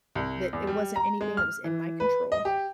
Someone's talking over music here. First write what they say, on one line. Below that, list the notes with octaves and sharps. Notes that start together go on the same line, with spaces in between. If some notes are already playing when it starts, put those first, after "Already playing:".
that it wasn't anything that was in my control,
C2
E2
G3
A#5
G#3
F6
E3
B4
D#5
G4